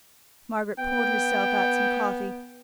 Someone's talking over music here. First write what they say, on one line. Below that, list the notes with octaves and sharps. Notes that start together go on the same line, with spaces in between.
Margaret poured herself out some coffee.
B3 G5